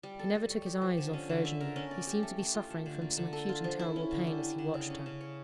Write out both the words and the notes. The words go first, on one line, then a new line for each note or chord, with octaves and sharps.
He never took his eyes off Virginie; he seemed to be suffering from some acute and terrible pain as he watched her.
G3
A4
G3
C#5
G4
F3
D3
C#4
D3
E5
A#4
C#4
D5
G4
A3
A3
F4
A3
D3
A#3
D3
A4
F4
F3
E4
C#4
D3
G4
E4
D3
C#3
C#4
C#3
C#5